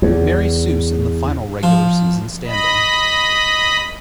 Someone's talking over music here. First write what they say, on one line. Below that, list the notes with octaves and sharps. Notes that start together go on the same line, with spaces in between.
Marie Soos in the final regular season standing.
E2
F3
D#5 B5